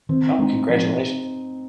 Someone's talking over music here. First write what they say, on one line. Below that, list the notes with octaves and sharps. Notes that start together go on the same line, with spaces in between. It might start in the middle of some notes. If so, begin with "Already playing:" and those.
Oh, congratulations.
D#3 C4
G#3 D4 D#4
F3 C4